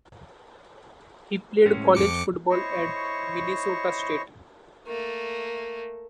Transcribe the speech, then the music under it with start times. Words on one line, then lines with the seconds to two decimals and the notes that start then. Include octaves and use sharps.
He played college football at Minnesota State.
1.66 A2 G#3 C#4
1.95 F2 D6 C#7
2.50 E4 C5 C#5 D#5 C#6
4.87 A3 A#3